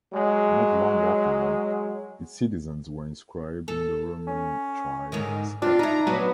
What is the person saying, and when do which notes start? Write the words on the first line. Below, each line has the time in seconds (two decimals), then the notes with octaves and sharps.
Not long afterward, its citizens were inscribed in the Roman tribe "Scaptia".
0.12 F#3 G#3
3.68 A4
4.27 C#4
5.12 G#2 D3 D#3
5.62 C4 D4 F4
5.79 D#4 E4 A#5
6.07 F#3 B3 F#4 B4